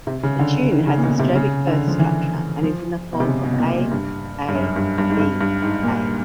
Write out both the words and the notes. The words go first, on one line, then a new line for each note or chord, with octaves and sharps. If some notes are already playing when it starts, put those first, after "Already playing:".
The tune has a strophic verse structure and is in the form A-A-B-A.
C3
C#3
D3
D#3
C#3
A#2
B2
C3
C#3
D3
F3
E3
F3
B2
C3
C#3
B2
B2
A#2
A#2
G2
G2
F#2
G2
G2
G#2
G2
G2
G#2
A#2